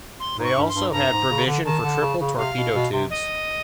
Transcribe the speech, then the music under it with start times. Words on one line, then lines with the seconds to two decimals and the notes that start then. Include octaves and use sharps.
They also had provision for triple torpedo tubes.
0.20 C6
0.38 G#2
0.44 C#6
0.56 G2
0.69 C6
0.75 G2
0.92 G2 A#5
1.11 G#2
1.29 C#3
1.46 D3
1.65 D#3 A5
1.84 D3
2.01 C#3
2.20 C#3
2.37 C3 F5
2.56 B2
2.74 B2
2.92 C3
3.10 D#5